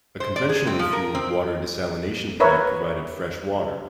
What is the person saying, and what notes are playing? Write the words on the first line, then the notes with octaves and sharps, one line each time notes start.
A conventionally fueled water desalination plant provided fresh water.
C5
D5
G#4
C4
F3
A#4
C4
A#4 B4 C#5 E5